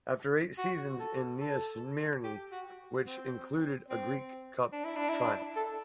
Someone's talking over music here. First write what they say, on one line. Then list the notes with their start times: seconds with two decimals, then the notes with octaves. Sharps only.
After eight seasons in Nea Smyrni, which included a Greek Cup triumph.
0.58 F#4
1.00 A4
1.41 A4
2.24 G4
2.52 F#4
3.07 C4
3.90 C4
4.73 D4
4.84 E4
4.96 D4
5.09 E4
5.21 D4
5.56 A4